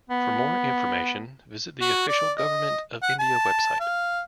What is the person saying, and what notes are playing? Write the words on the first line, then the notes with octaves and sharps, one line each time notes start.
For more information visit the official Government of India website.
B3
F#4
D5
D#5
F#5
A5
F5